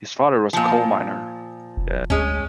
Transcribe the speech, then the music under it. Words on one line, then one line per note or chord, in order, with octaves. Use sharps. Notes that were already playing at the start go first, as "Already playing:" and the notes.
His father was a coal miner.
A#2 F3
F1
D2 G#3 C#4